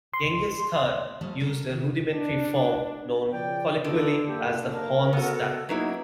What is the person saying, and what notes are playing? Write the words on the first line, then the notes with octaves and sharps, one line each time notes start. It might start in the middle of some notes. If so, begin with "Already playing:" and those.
Genghis Khan used a rudimentary form known colloquially as the "horns" tactic.
C6
F3 G3 A3 C#4
D2 A4 A#4
D#3
D4
C#3 F3 D5 G5
D3 A3 B3 D#4 F4 A4
F#2 A#3 D4 G4
A#4 A5
C#3 B3 F#4 A4
F#3 A#3 B3 C#4 D#4 E4 B4